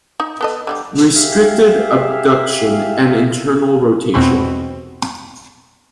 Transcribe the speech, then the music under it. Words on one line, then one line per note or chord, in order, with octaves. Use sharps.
Restricted abduction and internal rotation.
D#4
B3 A4 D#5
D3 G3 G4
G4 G#4 E5 F5
E2 B2 C4 F#4 B5